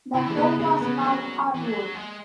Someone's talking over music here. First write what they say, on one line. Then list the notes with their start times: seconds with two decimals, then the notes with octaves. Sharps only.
The home was called Ardwold.
0.14 C#3 E4
0.26 E3 G#3
0.37 C#3 B3
0.59 C#3 G#3
0.81 C#3 B3
0.99 E3
1.04 F#3 C#4
1.54 E3
1.64 F#3
1.94 G#3